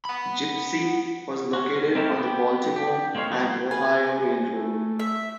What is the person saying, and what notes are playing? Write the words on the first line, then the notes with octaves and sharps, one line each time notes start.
Gypsy was located on the Baltimore and Ohio Railroad.
F#5 B5
C#4 F#4
C4 D#4 E4 G4 A4 A#4
B3 G4
G4
A#3 C4 D#4 C#5 F5
F3 G3 A3 A#3 D#4
B4 G#5
A3
E5